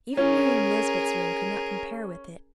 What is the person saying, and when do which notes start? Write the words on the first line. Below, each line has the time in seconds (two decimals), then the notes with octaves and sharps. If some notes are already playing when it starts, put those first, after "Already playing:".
Even Miriam Nesbit's room could not compare with it.
0.17 C#4 G#4 A#4